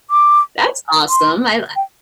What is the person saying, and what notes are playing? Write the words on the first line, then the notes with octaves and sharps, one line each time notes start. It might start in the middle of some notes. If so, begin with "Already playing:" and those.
That's awesome. I li
D6
C6
G5